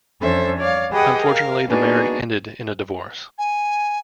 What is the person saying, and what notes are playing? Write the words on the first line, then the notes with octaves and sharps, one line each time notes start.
Unfortunately, the marriage ended in a divorce.
F2 C#4 D4 A4 C5 E5
C#5 D5 F5
G4 G#4 B4 D#5 F#5 G5
A#4 F5
A#3 B3 D4 D#4 F#4 G#4
G#5